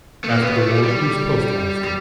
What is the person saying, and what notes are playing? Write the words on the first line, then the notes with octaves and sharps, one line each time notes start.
After the War he was postmaster.
A3
A#3
B3
A3
G3
G3
G3